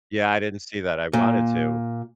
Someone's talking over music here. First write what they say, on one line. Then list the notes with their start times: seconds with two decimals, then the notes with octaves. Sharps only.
Yeah. I didn't see that, I wanted to.
1.13 A#2